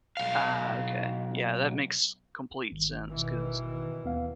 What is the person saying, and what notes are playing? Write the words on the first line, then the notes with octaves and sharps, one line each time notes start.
Uh, okay. Yeah, that makes complete sense 'cause,
B1 F5
G#1
B2 D#3 E3
D#2 B3 F5